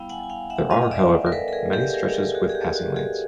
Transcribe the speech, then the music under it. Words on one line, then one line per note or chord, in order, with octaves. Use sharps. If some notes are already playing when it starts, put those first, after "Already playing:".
There are, however, many stretches with passing lanes.
Already playing: G3 B3 E4 F5 G5
F#5 G#5
G#5
F5 G5
E5 F#5
D#5 F5
D#5
D5 E5
A#4
A4 B4
A4
G#4 A#4
G4 A4
G#4 A#4
G4 A4
F#4 G#4
G#4
G4
F#4
F#4 G#4